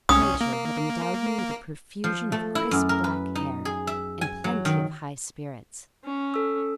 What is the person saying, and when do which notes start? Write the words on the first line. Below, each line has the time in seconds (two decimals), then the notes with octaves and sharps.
Nature had endowed me with a profusion of crisp black hair, and plenty of high spirits.
0.09 C2 C#4 D#6
0.41 A#3
2.04 F3
2.32 A3
2.55 E4
2.71 F#2
2.89 A#4
3.04 B4
3.35 D#4
3.65 G#4
3.87 E5
4.21 G#5
4.44 F#3
4.65 D#3
6.04 C#4
6.34 A4 E6